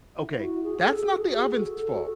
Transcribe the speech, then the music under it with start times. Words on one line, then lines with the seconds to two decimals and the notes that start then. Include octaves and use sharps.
okay, that's not the oven's fault.
0.18 E4
0.41 F#4
0.64 G#4
0.85 A4
1.07 G#4
1.29 F#4
1.51 A4
1.73 A4
1.95 F#4